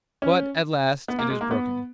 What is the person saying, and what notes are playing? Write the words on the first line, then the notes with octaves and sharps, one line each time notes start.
'But at last it is broken.
C#4
B3
A#3
G#3
A#3
B3